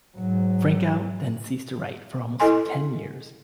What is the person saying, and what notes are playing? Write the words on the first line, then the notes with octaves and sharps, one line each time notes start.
Frankau then ceased to write for almost ten years.
G#2 F#3
E4 A4 D#5 G#5 C6